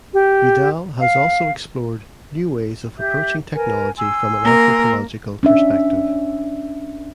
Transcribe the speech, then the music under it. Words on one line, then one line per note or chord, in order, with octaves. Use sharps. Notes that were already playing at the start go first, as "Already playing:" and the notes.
Vidal has also explored "new ways of approaching technology from an anthropological perspective".
G4
F5
G4 E5 G6
A#4 B4 G#5
G#5 C6 E6
A#3 A#4
C#4 D4 E5